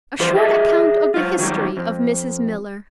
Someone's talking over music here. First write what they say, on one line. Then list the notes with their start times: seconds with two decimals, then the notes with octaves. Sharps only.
A short account of the history of Mrs Miller.
0.20 E3 F3 G3 B4 C5
0.35 G4 G#4 D#5 E5
1.14 F#3 F4
1.39 D#3 F#3 G3
1.77 F2